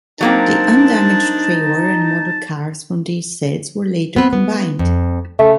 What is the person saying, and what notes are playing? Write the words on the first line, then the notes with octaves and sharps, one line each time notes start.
The undamaged trailer and motor cars from these sets were later combined.
F#3 A#3 C4 D4 D#4 A5
B3 C4 B4
B3
F2
C#3 A3